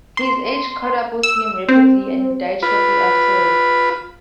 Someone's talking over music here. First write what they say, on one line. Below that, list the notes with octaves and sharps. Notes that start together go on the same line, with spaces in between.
His age caught up with him rapidly and he died shortly afterwards.
C6
E6
C4
F4 B4 B5